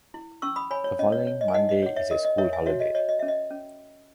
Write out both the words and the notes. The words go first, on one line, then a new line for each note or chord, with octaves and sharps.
The following Monday is a school holiday.
E4
C#4 C#6 E6
B5 D#6
C#5 G#5 B5
C#5
C#4 D#5
C#5
C#5
D#5
G#5
D#4 D#5 F#5
D#5
C#5 F#5
C#5 E5
A#4 D#5
D#5
A#4 C#5 E5
E5 G#5
F#4 C#5 E5
D#5
C#5 D#5
D#5
C#4 E5
D#5
C#4